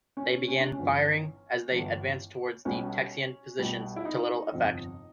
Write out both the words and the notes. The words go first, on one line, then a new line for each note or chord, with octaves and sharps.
They began firing as they advanced toward the Texian positions, to little effect.
C#4
C#4
D4
C#4
G1 G2 E3
G1 G2 E3
B1 B2 G3 C#4
B1 B2 G3
E4
D#4
G1 F2 C3 F3